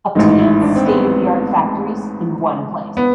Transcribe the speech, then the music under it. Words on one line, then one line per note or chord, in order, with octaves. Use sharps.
Up to eight state-of-the-art factories in one place.
A1 G#2 D#3 D#4
E4
D4
C4
B3
B3